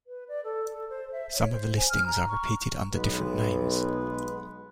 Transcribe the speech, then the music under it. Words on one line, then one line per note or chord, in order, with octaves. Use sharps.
Some of the listings are repeated under different names.
B4
D5
A4
A4
C5
E5
C#5
C5
G#5
F6
A#5
C#6
B1 G#3 B3 B4